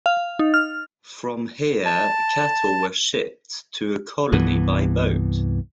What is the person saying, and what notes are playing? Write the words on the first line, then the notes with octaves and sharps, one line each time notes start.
From here cattle were shipped to the Colony by boat.
F5
D#4
F6
A5
C2 G2 E3 B3